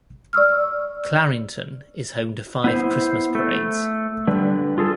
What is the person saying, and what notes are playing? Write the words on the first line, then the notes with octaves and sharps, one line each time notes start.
Clarington is home to five Christmas parades.
D5 C#6 E6 F6
B3 E4 C5
A3
D3 G3 B4
F4 G#4 A4